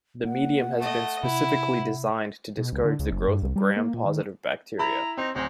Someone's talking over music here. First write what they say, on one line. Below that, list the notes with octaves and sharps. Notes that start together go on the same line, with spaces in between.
This medium has been specifically designed to discourage the growth of gram positive bacteria.
A#3 F#5
A3 D#5
C3 E4
B2
C#2
D3
C#2
F#1
G2
C2
G3
A#3
A#2
D#3
E4 A#5 B5
C4 D#4
D1 G#3 C4 D#4